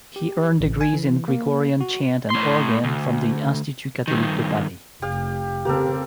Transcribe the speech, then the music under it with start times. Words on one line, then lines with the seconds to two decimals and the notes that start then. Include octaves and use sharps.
He earned degrees in Gregorian Chant and Organ from the Institut Catholique de Paris.
0.16 G4
0.60 A1
0.81 G#5
0.94 E3
1.28 A#3
1.81 F#4
2.30 A2 C6
2.84 D2
4.08 G2 D#3
5.02 F1 G4 F5
5.65 C#3 A#3 C4 G4 A4